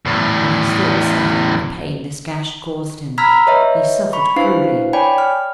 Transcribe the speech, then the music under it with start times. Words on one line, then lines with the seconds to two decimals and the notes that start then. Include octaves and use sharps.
When his thoughts settled on the pain this gash caused him, he suffered cruelly.
0.06 E2 A2
3.18 A#5 B5 E6 F6 G#6 B6
3.47 B4 C#5 D#5 E5
4.13 B5 C#6
4.36 D4 E4 B4 C5 F5 C7
4.93 C#5 D5 G5 G#5 B5
5.18 F6